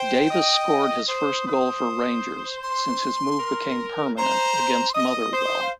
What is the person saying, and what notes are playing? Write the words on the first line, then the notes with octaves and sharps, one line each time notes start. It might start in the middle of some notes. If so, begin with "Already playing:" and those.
Davis scored his first goal for Rangers, since his move became permanent, against Motherwell.
Already playing: C5 G5
D#5
C5 D#6
C5
C6
A#4
C5 A#5
C6
D#5 D#6
D#6
C5
D#6
F5